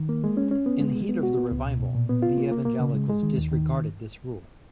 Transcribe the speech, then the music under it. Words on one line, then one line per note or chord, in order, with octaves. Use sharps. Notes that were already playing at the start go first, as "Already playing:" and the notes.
In the heat of the revival, the evangelicals disregarded this rule.
Already playing: D#3
A#3
G#3
C#4
C#4
B3
G#3
G#3
B3
F#4
B3
C#2
B2
B2
A#2
B3
F4
A#3
A#3
A#3
C#3
G#3
G#3
D#3
D#2
D#3